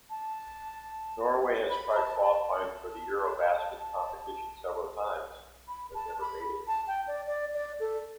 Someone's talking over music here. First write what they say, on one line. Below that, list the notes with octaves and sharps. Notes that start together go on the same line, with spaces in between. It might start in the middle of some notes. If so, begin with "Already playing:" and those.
Norway has tried qualifying for the Eurobasket competition several times, but never made it.
A5
B5
B5
A5
A5
A5
B5
A5
B5
A5
G5
D5
D5
D5
A4